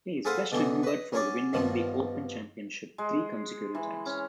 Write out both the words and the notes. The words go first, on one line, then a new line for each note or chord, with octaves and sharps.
He is best remembered for winning the Open Championship three consecutive times.
G#4 A4 B4 C5 F5 F#5
B2 D3 E3 F#3 B3
B4 D#5
F#3 C#4 G#4 C#5 D5
G2 B2 D#3 F3
G#3
E3
C#4